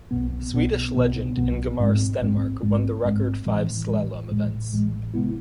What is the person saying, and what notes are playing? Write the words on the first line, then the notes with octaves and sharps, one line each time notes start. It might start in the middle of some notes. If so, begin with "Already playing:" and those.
Swedish legend Ingemar Stenmark won the record five slalom events.
B1 B2 B3
B1 B2 B3
B1 B2 B3
B1 B2 B3
A1 G#2 G#3 C4
A1 G#2 G#3 C4
A1 G#2 G#3 C4
A1 G#2 G#3 C4
A1 A2 E3 G#3
A1 A2 E3 G#3
A1 A2 E3 G#3
A1 A2 E3 G#3
C3 G#3 B3 E4